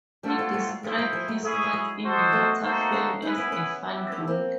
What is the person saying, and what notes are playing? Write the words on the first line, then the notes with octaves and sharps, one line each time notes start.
He described his part in the latter film as a "fun role".
G3 A3 C4 F4 A4 C#5 F#5
G3 A3
G3 A3
F#3 G#3
G3 A3 E4 G#4 C5
F#3 G#3
F3 G3
F#3 G#3
A3 C#4 E4 G#4
G#3
G3
F#3 G#3
F#4 A4 C5 D#5
A3 B3
A#3 D#4 F#4 A4 C5
B3 C#4
C#4 D#4 E4 G#4 B4
B3 C#4
B3 C#4
E4 G4 B4 E5
B3 C#4
A#3 C4